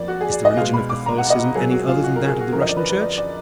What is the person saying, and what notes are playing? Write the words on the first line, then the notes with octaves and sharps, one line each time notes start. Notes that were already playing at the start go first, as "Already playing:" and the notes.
Is the religion of Catholicism any other than that of the Russian Church?
Already playing: F2 F3 A#3 D5
F#4
G#4
D5
D#5
B2 G#3 F5
B5
D6
A#5
F#5
D#5
A#2 F#3 A#3 G#4
F#4
F4
F#4
A#4
G#4
F#4
F#2 D3 F3 A#4
D#5
D5
B4
B4
D5
D5